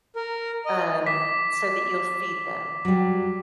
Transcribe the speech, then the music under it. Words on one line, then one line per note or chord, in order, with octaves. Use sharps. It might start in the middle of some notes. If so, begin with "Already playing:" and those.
um, so that you'll feed them.
A#4
D#5
D6 B6
F#3 G3